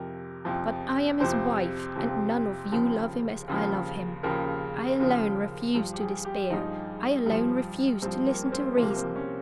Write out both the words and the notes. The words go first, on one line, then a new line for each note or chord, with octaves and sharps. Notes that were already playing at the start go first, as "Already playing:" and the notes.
But I am his wife; and none of you love him as I love him. I alone refuse to despair; I alone refuse to listen to reason.
Already playing: F2 C3 F3 A#4
F2 C3 F3
F2 C3 F3 C5
F2 C3 F3
D#2 C#3 F3
D#2 C#3 F3
D#2 C#3 F3 A#4
D#2 C#3 F3
G2 F3
G4
G#4
G4
G2 F3 D#4
G2 F3
G2 F3 C4
A#3
C#4
C4
C2 C3 F3 A#3
C4
C#4